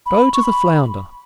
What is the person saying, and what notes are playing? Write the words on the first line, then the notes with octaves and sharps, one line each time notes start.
Go to the flounder.
B5
C#6
B5